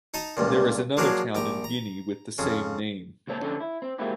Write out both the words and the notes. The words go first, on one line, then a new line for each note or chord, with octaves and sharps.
There is another town in Guinea with the same name.
D#4 D#5 A5 A#5
C#2 G2 A#2
F3 F#3 A#3 D4 G#4 A#4
A#1 G4 A#5
A#5
F2 C#3
C#2 A#2 C4 C#5 A5
D3 F3 C#4 D4 A4
E4
C4
G#3 A#3 C4 E4 F#4 G4